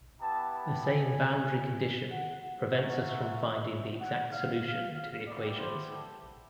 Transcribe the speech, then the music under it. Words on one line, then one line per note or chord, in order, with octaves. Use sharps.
The same boundary condition prevents us from finding the exact solution to the equations.
B3 E4 G4 A5
G#5
F#5
A#3 C#4 F#4
E5
E5
F#5
F5
F5
F5
G3 B3 E4 G4 D5
C5
A4